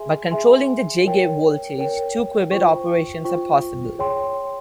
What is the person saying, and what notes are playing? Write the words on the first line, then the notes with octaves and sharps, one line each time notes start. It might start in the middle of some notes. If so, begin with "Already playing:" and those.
By controlling the J gate voltage, two-qubit operations are possible.
Already playing: G#4 E5 G#5 C6
G#4 E5 G#5 C6
A#4 C#5 G5
A#4 C#5 G5
F4 C5 G5 C#6
F4 C5 G5 C#6
G#4 C#5 G5 C6